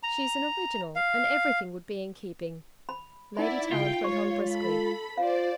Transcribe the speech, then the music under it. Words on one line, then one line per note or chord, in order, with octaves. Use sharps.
She's an original, and everything would be in keeping.' Lady Tallant went on briskly.
A#5
F5
B5
D#4 E4 D5 F#5 B5
C#3 F4 G5
G#3 C#5 C#6
A4 B5
F4 C5 D5 F5